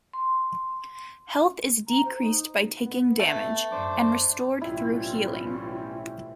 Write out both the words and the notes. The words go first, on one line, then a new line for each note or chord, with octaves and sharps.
Health is decreased by taking damage, and restored through healing.
C6
A#5
C5
D#4
B3
A3
F#2 D4 C5 D6
B1 A2 E3 G3 C4 C#4 E4 F4